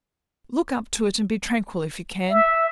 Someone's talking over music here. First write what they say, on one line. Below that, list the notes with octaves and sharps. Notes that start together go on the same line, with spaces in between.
Look up to it, and be tranquil if you can.
E5